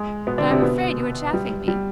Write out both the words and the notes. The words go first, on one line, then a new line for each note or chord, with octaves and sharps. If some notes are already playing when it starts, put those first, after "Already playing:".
"But I am afraid you are chaffing me."
Already playing: G#3
B2 B3
D3 D4
C3 C4
B2 B3
G3
G3